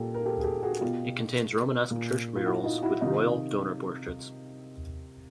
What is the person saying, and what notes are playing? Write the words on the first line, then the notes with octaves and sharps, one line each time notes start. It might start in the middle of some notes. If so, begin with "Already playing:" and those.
It contains Romanesque church murals with royal donor portraits.
Already playing: A#2 G4 A4
A#4
G4 A4
G#4
G4 A4
F#4 G#4
B2 F4 G4
A#2
F4
E4 F#4
D#4 F4
E4 F#4
C3 D#3 D#4 F4